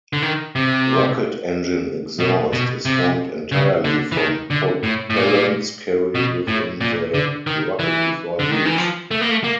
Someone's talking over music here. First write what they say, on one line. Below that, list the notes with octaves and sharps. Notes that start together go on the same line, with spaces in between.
Rocket engine exhaust is formed entirely from propellants carried within the rocket before use.
D3
D#3
C3
B2
B2
C3
C#3
D3
E3
D#3
D3
A2
A2
A#2
B2
A2
A#2
D3
D#3
E3
D3
D#3
E3
F3
A3
A#3
A3
A#3